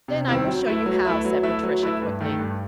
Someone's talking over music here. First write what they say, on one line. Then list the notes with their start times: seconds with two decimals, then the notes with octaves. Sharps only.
"Then I will show you how," said Patricia, quickly.
0.08 C3
0.28 D#3 G3 C4 E4
0.47 F#3
0.67 A3 E4 B4 E5
0.86 F#3
1.05 A3 E4 B4 E5
1.25 F#3
1.43 A3 E4 B4 E5
1.63 F#3
1.82 A3 E4 B4 E5
2.02 G2
2.21 D#3 A3
2.39 G2